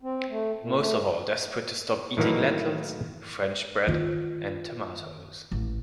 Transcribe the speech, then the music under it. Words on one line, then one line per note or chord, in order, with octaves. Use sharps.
Most of all desperate to stop eating lentils, French bread and tomatoes.
C4
A3
A#2
A3
A2 D#3 E3 F#3 A#3 E4
D#3 F4
A1